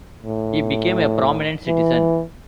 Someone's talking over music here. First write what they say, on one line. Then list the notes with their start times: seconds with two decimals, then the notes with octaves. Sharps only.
He became a prominent citizen.
0.22 A2
1.67 E3